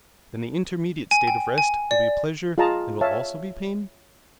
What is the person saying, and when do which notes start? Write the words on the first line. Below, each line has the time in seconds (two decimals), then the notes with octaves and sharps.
Then the intermediate state of rest will be pleasure and will also be pain?
1.11 G#5
1.27 G5
1.58 G#5
1.91 D5
2.58 F4 G#4 D#5 A5 A#5
3.01 C#5 E5 F5 A5